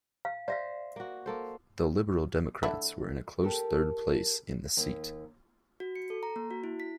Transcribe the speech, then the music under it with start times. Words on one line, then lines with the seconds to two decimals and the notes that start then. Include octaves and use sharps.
The Liberal Democrats were in a close third place in the seat.
0.25 F5
0.48 C5 D5 E5 F5
0.96 A#3 F#4
1.26 A#3 A4 C5
2.63 D3 A3 E4
3.43 G4 A4 A#4
4.77 D#2
5.80 F#4
5.96 C#7
6.10 A4
6.23 A#5
6.36 A#3
6.51 F#4
6.64 E4
6.80 B6